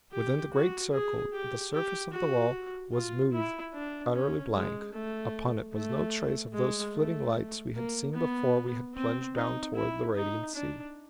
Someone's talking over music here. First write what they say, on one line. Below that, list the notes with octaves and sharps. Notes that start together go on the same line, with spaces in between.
Within the great circle the surface of the wall was smooth, utterly blank; upon it was no trace of those flitting lights we had seen before we had plunged down toward the radiant sea.
G4
F#4
G#4
G4
G4
F#4
F4
E4
D4
C#4
G#3
A3
A3
G#3
A3
A#3
B3
C4
D#4
E4
D#4
D4